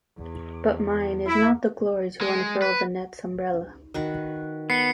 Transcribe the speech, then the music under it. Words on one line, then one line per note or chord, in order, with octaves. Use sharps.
But mine is not the glory to unfurl the net's umbrella.
E2
E4
G#3
B4
D#3 F#4 B4
B3 C7 C#7